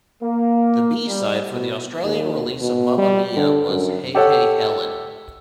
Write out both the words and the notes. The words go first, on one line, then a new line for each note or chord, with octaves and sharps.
The B-side for the Australian release of "Mamma Mia" was "Hey, Hey Helen".
A#3
G3
B2
D#2
B2
G3
D3
F#2
G4 A4 C#5 F#5